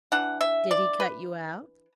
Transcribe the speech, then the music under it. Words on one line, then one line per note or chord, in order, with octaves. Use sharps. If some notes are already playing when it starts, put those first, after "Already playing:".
'Did he cut you out?'
E3 D4 F#5
E5
D5
B4